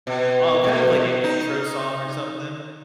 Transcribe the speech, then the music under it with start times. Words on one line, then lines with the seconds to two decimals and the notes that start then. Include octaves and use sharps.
Oh, kind of like an intro song or something?
0.07 B2
0.64 B2
1.23 D#4